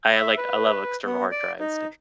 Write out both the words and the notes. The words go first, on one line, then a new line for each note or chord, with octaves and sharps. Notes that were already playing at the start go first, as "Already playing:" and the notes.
I like, I love external hard drives, like,
E5
B4
B3
D5
D#4